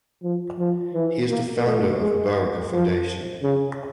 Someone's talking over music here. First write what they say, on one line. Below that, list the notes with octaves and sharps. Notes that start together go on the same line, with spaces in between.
He is the founder of Baraka Foundation.
F3
F3
E3
A#3
A3
G#3
F3
C#3